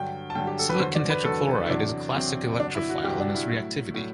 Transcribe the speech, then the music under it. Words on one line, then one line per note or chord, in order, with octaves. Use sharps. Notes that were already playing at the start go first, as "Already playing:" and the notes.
Silicon tetrachloride is a classic electrophile in its reactivity.
Already playing: G2 D3 F#3 G5
A5
G2 D3 F#3 G5
G4
A4
B4
E2 D3 F#3 C5
D5
B4
E2 D3 F#3 A4
E4
E2 C3 F#3 D4
E2 C3 F#3 C4
G2 D3 F#3 D4
E4
F#4
G2 D3 F#3 G4
D4
E4
A2 F#3
A2 F#3